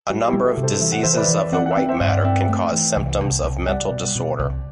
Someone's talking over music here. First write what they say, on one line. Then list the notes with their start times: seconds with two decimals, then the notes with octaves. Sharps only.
A number of diseases of the white matter can cause symptoms of mental disorder.
0.10 G3 F#4
0.27 E4 G4
0.33 G3
0.45 F#4 A4
0.57 C3
0.63 A4 C5
0.81 E3 E5
0.92 F#5
1.03 E3 C5 E5
1.13 C5
1.17 B4 D5
1.28 E3
1.52 C4 D5 F#5
1.66 F#5
1.71 E5 G5
1.77 C4
1.89 C5 E5
2.00 G2
2.06 D5 F#5
2.24 C4 E5 G5
2.49 A3
2.72 E3
2.96 C2
3.20 C2
3.43 C2
3.68 G3 D5 F#5
3.91 B2
4.16 B2
4.39 C2